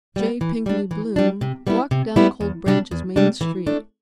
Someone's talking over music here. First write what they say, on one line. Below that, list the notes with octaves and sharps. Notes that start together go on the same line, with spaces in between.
J. Pinkney Bloom walked down Cold Branch's main street.
G3 B3
E3
G3 D4
E3
G3 D4
C3
G3 B3 E4
C3
G3 B3 E4
E2
C3 G3 D4
E2
C3 G3 D4
E3
A3 D4